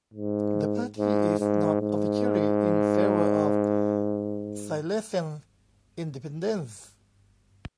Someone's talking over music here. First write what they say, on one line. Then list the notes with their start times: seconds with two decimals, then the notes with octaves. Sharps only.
The party is not officially in favor of Silesian independence.
0.14 G#2
0.98 G#2
1.40 G#2
1.81 G#2